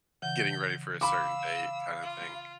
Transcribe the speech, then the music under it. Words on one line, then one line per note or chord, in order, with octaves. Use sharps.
getting ready for a certain date kinda thing.
C#3 E3 F#5 G6
F5 B5 D6 E6
F4